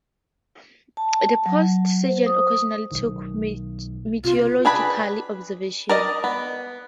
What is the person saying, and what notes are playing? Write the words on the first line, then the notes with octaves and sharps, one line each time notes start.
The Post Surgeon occasionally took meteorological observations.
A5
F#3
C5
D#6
B1 D#3
C3 F4
D4 G#4 B4 B5
A#4 D5 D#5
B3